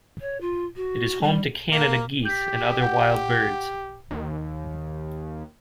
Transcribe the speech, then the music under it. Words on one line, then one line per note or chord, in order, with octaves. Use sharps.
It is home to Canada geese and other wild birds.
C#5
F4
F#4
G3
A#3
G4 G6 B6
F#5 G6
D#2